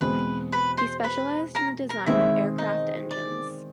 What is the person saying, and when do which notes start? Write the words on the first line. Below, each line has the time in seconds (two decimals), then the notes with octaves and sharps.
He specialised in the design of aircraft engines.
0.01 E2 B2 G#3 C4 B4 B5
0.52 B4 B5
0.77 C5 C6
1.04 B4 B5
1.55 A#4 A#5
1.89 A#4 A#5
2.06 D#3 G#3 C4 E4 E5
2.58 D#4 D#5
3.11 D5